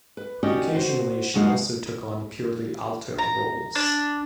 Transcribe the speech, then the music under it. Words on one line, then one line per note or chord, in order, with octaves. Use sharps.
Occasionally she also took on purely alto roles.
B4
C#4 D#4 F#4 G4 D5 D#5
F#4 C5
G#2 F#3 G#3 D#4 F5 F#5
A#5
D4